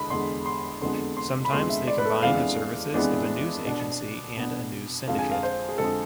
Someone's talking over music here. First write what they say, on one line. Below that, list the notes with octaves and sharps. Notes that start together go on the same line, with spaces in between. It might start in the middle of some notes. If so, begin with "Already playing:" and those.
Sometimes they combine the services of a news agency and a news syndicate.
Already playing: E2 D3 G#3 B5
E2 D3 G#3 C6
C6
F2 D3 G#3 B3 C6
C6
B5
F2 D3 G#3 B3 C6
E5
D5
B4
A4
F2 E3 G#3 B3 D4 F5
F2 E3 G#3 B3 D4
B2 B3 D4
B2 B3 D4
F2 D3 G#3 F5
G#5
F5
C5
G#4
F2 D3 G#3 A4